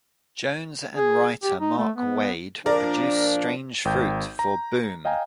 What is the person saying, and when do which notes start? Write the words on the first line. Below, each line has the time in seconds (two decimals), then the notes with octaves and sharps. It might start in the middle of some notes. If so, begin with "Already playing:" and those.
Jones and writer Mark Waid produced "Strange Fruit" for Boom!
0.96 G#4
1.43 G4
1.60 D#4
1.78 A3
1.96 B3
2.66 A#2 F3 D4 A#4 D5
3.85 G#1 G5 G6
4.39 A#5
5.05 D#5 F5 G5 G#5 A#5